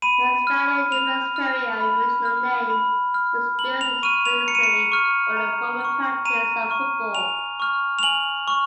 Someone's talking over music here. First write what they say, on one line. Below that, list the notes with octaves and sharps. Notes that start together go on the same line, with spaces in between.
The Estadio Universitario, original name, was built specifically for the former practice of football.
B5 D#7
F6
B5 F7
F6
B5
F6
B5
F6
A#5 F#7
F7
C#6 F6 D#7
F7
A#5 C#7
D#7
C#7
C#6 F6
A#5
C#6 F6
A#5 D#7
C#6 F6
G#5 F7
C#6 F6
F7
G#5 F#7
C#6 F6